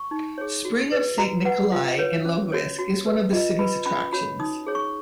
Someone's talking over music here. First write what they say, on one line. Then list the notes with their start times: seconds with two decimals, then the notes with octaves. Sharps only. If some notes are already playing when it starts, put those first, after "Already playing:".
Spring of Saint Nicholai in Logoisk is one of the city's attractions.
Already playing: C#6
0.11 D#4
0.38 G#4 C#5
0.65 F#4
0.92 B4
1.18 F#4 A#5
1.45 B4 F#5
1.72 F4 F5
1.98 B4 C#5
2.25 C#4
2.52 F#4 C#5
2.79 F#4
3.06 B4
3.33 F4 D#5
3.59 B4 B5
3.86 C#4 B5
4.13 F#4 C#5 B5
4.39 D#4 D#6
4.67 G#4 C#5
4.75 C#6